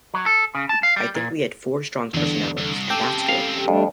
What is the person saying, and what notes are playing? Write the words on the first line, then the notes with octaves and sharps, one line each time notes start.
I think we had four strong personalities, and that's good.
F#3
A4
C#3
A5
F5
G3
A#2
E2 G2 D3
C2
C#3 C4 G4 A4 G5
F5
F2 G3 A3 D4